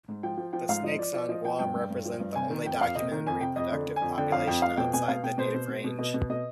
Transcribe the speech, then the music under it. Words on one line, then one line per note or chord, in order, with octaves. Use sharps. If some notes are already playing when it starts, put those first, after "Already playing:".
The snakes on Guam represent the only documented reproductive population outside the native range.
G#2
F3 G5
F3
F3 G5
G#2 F5
F3 D#5
F3 D5
F3 D5
F3 D#5
F3 G5
G2 G5
G2
G2
F3
G2
C3 G#5
D#3
F2 G5
F2 F5
C3 D#5
D#3
F2 G#5
C3 G5
F2 D#5
D3
D3
G#5
F2
D3 G5
F2 F5
F2 G5
F2 F5
B2 G5
B2 G#5
B2 F5
B2 G5
B2 C5
B2
B2
B2
B2 D#5
B2
B2 D#5